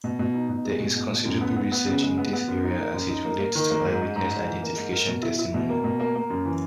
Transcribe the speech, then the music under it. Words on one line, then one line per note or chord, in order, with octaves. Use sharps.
There is considerable research in this area as it relates to eyewitness identification testimony.
B2
B2
D#4
B2
G#3
B2
B2
B2
F#2
B3
B3
B3
C#3
G#3
B3
B3
F#2
D#4
A#3
F#2
D#4
A#3
A#3
D#3
A#3
G#2
G#2
G#2
G#2
E3
A#3
G#2
A#4
B2
E4
E4
B2
A#3
B2
A#3
A#3
F#2
E3